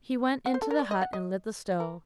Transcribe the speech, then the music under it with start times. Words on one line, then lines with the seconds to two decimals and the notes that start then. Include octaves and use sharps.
He went into the hut and lit the stove.
0.46 F#5
0.54 C5
0.62 A4
0.71 A#4
0.79 D5
0.91 D#5
1.01 F#5
1.13 D#5
1.80 A#4